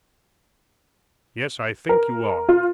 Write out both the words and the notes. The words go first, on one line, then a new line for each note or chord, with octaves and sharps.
'Yes, I think you are.
A#4
F4